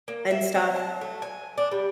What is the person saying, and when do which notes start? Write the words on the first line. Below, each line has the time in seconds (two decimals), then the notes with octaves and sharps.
and stuff,
0.08 A#3
0.31 E5
0.55 C4
0.76 A5
1.01 A3
1.22 G#5
1.58 D4
1.72 G3